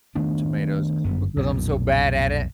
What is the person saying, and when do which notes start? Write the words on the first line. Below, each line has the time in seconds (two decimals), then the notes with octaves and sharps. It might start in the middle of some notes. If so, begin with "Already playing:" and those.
tomatoes because I'm so bad at it.
0.15 D#3 A3 B3 D4
1.04 G1 F#2 B3
1.36 B1 F2 A#2